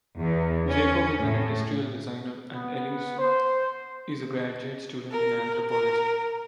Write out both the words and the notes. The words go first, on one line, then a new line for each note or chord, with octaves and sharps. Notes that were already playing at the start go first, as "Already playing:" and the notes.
Jacob is an industrial designer and Elyse is a graduate student in anthropology.
E2
C#4
A2
B3
C5
A#4
A#4